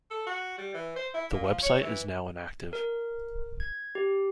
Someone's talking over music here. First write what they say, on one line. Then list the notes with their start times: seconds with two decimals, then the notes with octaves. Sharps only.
The website is now inactive.
0.11 A4
0.26 F#4
0.58 G3
0.74 E3
0.96 C5
1.14 E4
1.31 A#2
1.43 F3
1.63 C#5
1.82 E3
2.73 A#4
3.60 G#6
3.95 G4